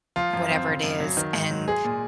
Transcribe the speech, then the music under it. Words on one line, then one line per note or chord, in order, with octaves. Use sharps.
whatever it is, and
F3 F4
F#2
C4
C#3
F#2
F#3
D#3
G#2
F#3
G#3 G#4
A#2